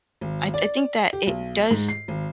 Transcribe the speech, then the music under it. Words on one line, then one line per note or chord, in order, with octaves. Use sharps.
I I think that it does
G#1
D5
G4
B1
G#2
C7
G#1